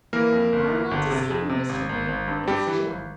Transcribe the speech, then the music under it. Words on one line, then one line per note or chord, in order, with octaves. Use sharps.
I'll not deceive you, Mr. B. It's gin.'
E3 A#3 A#4
F2
G1
E3
G1
C3
F2
C3
G#1
G#1
G#1
G2
G2 G3 G4
E3
G#1